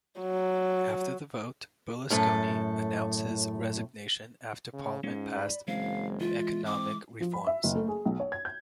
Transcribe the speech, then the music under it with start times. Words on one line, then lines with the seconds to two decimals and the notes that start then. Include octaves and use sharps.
After the vote, Berlusconi announced his resignation after Parliament passed economic reforms.
0.20 F#3
2.10 F#2 A2 A4
4.73 C#3
5.04 G#2 G#3 C#4 F4
5.37 D5 B5
5.68 F#1 E3 G#3 C4 F5
6.20 E3 G#3 E4 F4
6.65 C4 D6
7.21 F3
7.33 B5
7.47 E5
7.64 F#1
7.75 A3
7.88 G#4
8.05 B1
8.20 C#5
8.32 G#6
8.45 G6